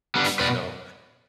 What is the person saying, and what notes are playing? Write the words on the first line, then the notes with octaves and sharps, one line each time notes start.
you know?
G3 B3 D4
B2 B4 D5